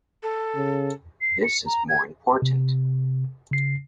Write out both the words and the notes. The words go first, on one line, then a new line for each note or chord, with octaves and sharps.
This is more important.
A4
C#3
C7
C#7
A#5
G#6
C3
C#3 C7